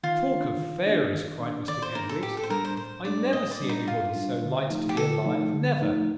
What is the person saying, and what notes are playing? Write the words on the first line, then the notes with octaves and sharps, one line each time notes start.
'Talk of fairies!' cried Mr Kenwigs 'I never see anybody so light to be alive, never.
D#3 F4
A#3 D4
D#3
A#3 D4
D#3
A#3 D4
D#3 D5
C5
A#3 D4 A#4
A4
A2 G4
A4
C5
G3 D4 A#4
C5
A2 C5
G3 D4 D5
A2 D#5
D5
G3 D4
D#4
A2 F4
G3 D4
D3
F3 A3 D#4
G4
D3 A4
F3 A3 D#4
D3
F3 A3 D#4